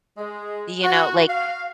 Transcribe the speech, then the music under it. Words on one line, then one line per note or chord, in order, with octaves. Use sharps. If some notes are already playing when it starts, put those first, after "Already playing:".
you know like,
G#3
F#4
F5